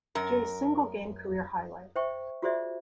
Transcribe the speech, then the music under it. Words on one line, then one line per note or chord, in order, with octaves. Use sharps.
Jay's single-game career highlight.
F#2 A#4
C5 E5 G5 C#6
F4 F#4 G#4 C5 D5 E5